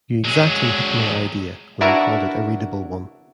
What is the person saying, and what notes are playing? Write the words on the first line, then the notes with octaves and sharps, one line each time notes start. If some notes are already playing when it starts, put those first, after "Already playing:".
You exactly hit my idea, when you called it a readable one.
F#3 G#3
D4 E4 F#4 A#4 B4 E5